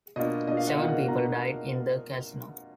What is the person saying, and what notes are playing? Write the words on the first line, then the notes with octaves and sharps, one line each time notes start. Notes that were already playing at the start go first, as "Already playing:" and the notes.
Seven people died in the casino.
B2 A#3 D4 F4 D#5
B2 A#3 D4 F4 D#5
F5
F#5
B2 A#3 D4 F4 D#5
B2 A#3 D4 F4 A#5